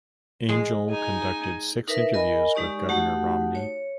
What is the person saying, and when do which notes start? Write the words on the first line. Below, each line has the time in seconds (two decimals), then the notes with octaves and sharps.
Angel conducted six interviews with Governor Romney.
0.49 G#3
0.91 D#4 G#5
1.88 D#4 A#4 B4 E5
2.14 A#4 D#5 G#5 B5
2.55 G#3 D#4 G4 D5 C#6
2.89 A3 D#4 F#4 G4 F#5
3.55 C#5